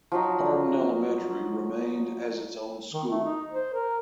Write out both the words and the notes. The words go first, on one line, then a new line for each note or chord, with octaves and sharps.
Hardin Elementary remained as its own school.
F3 F#3 D#4
D#3
A3
D#4
C5
A#4